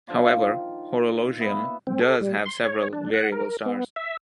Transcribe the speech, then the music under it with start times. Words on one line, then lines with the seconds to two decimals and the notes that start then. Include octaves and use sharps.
However, Horologium does have several variable stars.
0.08 D3 F3 F4 D5
0.33 D#3
1.39 A#2 B3 E5
1.87 C4
2.01 A4
2.21 G3
2.46 C6
2.65 C#5
2.93 D4
3.13 F#5
3.32 A#4
3.66 B3
3.96 E5